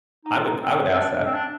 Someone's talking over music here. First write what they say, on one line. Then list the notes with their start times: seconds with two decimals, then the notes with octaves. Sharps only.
I would th I would ask that.
0.25 D#4
0.36 F4
0.46 D#4
0.63 C4
0.93 C4
0.98 D4
1.25 C4
1.34 D4